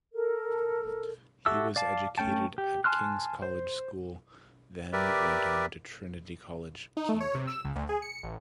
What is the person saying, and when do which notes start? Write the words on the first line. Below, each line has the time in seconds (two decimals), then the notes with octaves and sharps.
He was educated at King's College School then went on to Trinity College, Cambridge.
0.13 A4 A#4
1.46 F#4 G4 A4 E5 E6
1.76 D5 F5 A5
2.18 A3 C#4 G5 A5
2.58 G4
2.84 G#5 A5 C6 F6 F#6
3.42 C5
4.93 G4 A#4 B4 D5 E5
6.97 D#4
7.09 A3
7.20 C#5
7.35 C3
7.47 E6
7.64 C#2
7.76 D2
7.89 G#4
8.02 C#7
8.23 A1